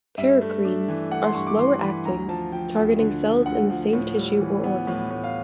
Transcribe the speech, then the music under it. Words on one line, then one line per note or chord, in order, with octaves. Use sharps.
Paracrines are slower acting, targeting cells in the same tissue or organ.
G2 E5
A3
D4
E3
A3 F#5
C6
G2 C#6
D6
E3 C6
E3 B5
D2 A#5
F3 A5
F3 G5
D2
D3
F3
D2 F#5
F3
A2
G3
E3
B3
A2
A2
F5